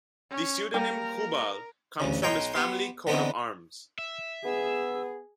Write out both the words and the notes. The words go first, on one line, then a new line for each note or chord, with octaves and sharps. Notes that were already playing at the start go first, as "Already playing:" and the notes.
The pseudonym "Hubal" comes from his family coat of arms.
C#4
G3 A#3 G4 A#4
A1 D2 C#3
B1 D#4 C#5 G5 A#5 C6
B3 G4 C6
D3 E3 B3 C4 D4 D#4
E5
B3 G#4